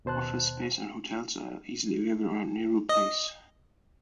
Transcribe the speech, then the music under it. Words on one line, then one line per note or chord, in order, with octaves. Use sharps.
Office space and hotels are easily available around Nehru Place.
D#2 B2 C5 A5 F#6
D#5